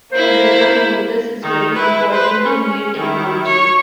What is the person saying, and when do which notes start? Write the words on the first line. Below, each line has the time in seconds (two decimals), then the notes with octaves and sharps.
Rigor mortis is very important in meat technology.
0.12 A#3 E4 C5
1.42 D#3 D#4
1.74 E4 B4
2.11 B4 C5
2.45 C#4
2.96 D#3 E4
3.45 C#5